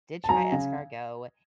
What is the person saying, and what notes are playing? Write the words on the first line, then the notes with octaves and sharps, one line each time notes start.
did try escargot,
A5
F#3 G#5 A#5
C#3